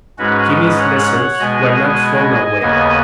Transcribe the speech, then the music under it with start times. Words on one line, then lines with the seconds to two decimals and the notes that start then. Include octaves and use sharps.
Jimmy's lessons were not thrown away.
0.18 G#2 G#3 C#4 F#4 B4
0.49 B4 D#5
0.79 C#5 F#5
1.40 B2 G#3 B3 D#5 G#5
2.61 D#2 C#3 B3 D#5 G#5